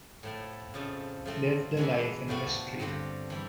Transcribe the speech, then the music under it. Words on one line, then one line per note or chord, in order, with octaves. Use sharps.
Lived a life in mystery.
A2 F3 A3
F2 C#3 F3 A3
F3 A3 C4
E3 G#3 B3 D4
A2 F3 A3 D4 F#4
G2 D3 G3 C4
E3 G3